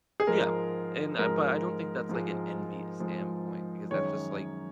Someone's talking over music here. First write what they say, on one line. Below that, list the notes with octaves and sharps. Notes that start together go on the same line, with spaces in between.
Yeah, and, um, but I don't think that's, like, an envious standpoint because that's just, like,
G#4
G#2 F3 G#3 A#4
G#2 F3 G#3 A#4
G#2 F3 G#3
G#2 F3 G#3
F#2 D#3 G#3 C#5